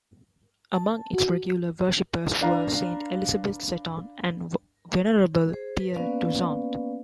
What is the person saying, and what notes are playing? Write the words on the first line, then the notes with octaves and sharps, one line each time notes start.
Among its regular worshippers were Saint Elizabeth Seton and Venerable Pierre Toussaint.
A5
F#4
D4 B4 F5 A#5
G#4 C5
B4
A#3 B3 C#4 B4 D5 F5